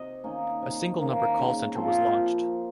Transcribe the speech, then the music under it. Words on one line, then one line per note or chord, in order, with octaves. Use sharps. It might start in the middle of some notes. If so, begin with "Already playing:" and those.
A single number call centre was launched.
Already playing: C3 D#5
D#3 A#3 C#4
C3
D#3 A#3 C#4
C#3
F3 C4